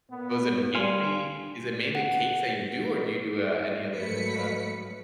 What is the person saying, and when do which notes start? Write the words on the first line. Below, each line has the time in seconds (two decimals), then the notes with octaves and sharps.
Was it mainly is it mainly cakes that you do, or do you do, uh, any other, uh
0.11 A#2 B3
0.75 G3 F5 G#5 C6
1.95 F#5
3.94 G#2 F#3 A3 B4 B6 C#7